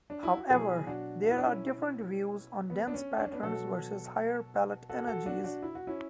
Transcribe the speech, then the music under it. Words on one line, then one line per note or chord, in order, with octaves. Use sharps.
However, there are different views on dense patterns versus higher pellet energies.
D4
E4
F#4
B2 F#3 E4 G#4
D4 F#4
F#4
E4
D4
C#4 E4
B3
D4
C#4
D4
C#4
B3 D4
B2 F#3 F#4 A4
F#4 A4
F#4 A4
D4 F#4
D4 F#4
E4
F#4
C#4 E4